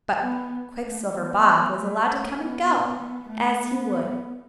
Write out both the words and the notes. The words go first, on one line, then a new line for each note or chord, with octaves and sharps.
But "Quicksilver Bob" was allowed to come and go as he would.
B3
A3
B3
A3
B3
B3
A3
B3